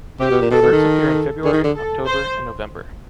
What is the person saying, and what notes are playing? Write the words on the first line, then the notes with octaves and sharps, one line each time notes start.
The fruits appear in February, October, and November.
C3 G4
B2
A#2
B2 A4
B2
D#3
A4
D3 G#4
D#3
D3
A4
C5